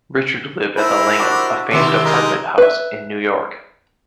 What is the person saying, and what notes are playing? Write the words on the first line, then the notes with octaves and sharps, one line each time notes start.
Ritchard lived at The Langham, a famed apartment house in New York.
E4 A#4 C5 A5 B5
D4 E4 F#4 G4
C3 D#3 D4 E4 G4
G#3 D#4 A#4 A#5 C6
B4 E5